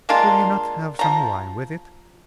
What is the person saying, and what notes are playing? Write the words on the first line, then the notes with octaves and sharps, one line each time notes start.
"Will you not have some wine with it?"
G#3 A#3 D4 F4
F3 A#5